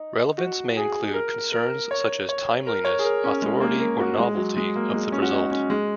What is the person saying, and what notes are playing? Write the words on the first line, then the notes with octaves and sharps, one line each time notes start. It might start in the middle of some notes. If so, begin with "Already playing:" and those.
Relevance may include concerns such as timeliness, authority or novelty of the result.
Already playing: D#4
F#4
G#4
A#4
A#4
C#5
C#5
A#4
C#5
G#4
A#4
C#4
G#3
A#3
A#4
F#4
G#3
F#3
G#3
A#3
G#3
C#4
F#4
D#4
C#4
G#3